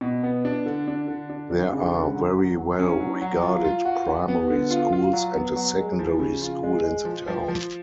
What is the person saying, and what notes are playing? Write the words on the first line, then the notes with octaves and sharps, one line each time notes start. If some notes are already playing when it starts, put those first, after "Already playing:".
There are very well regarded primary schools and a secondary school in the town.
B2
B3
D4
D3
D4
D3
D4
D4
C#3
D3
F#3
F#3
F#3
C#4
F#3
F#3
F4
F4
F#4
F#4
B3
D3
F4
F4
F#3
B3
F#3
G#3
F3
C#3
F4
G#3
G#3
F3
F3
F3